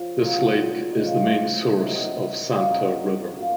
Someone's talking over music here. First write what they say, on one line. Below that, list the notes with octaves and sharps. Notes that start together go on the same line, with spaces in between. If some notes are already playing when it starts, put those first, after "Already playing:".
This lake is the main source of Santa River.
Already playing: C#3 F3
A#2 F#3
D#5
A2 F3 F5
C3 D#3 F#3
F5
F#2 D#3 F#3 F#5
A#2 F5